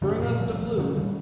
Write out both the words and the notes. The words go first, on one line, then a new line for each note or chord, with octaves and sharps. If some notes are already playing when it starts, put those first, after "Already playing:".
Bring us the flute!
F#2 C#3 F3 A3
A#2
D#1 F3 A3
C#3 F#3 G#3 C#4
D#3 G3